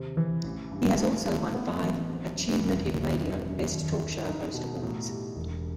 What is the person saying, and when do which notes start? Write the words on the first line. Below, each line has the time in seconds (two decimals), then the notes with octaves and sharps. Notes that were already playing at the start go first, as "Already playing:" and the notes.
He has also won five "Achievement in Radio" Best Talk Show Host awards.
Already playing: D#2 C3
0.17 E3
0.44 A1
0.72 G2
0.99 A3
1.27 A3
1.54 B3
1.82 A1
2.09 C4
2.36 F#2
2.63 E1
2.91 E1
3.18 F#2
3.46 F#2
3.72 D#2
4.00 D#3
4.27 D#4
4.54 B2
4.82 A2
5.09 G3
5.36 E1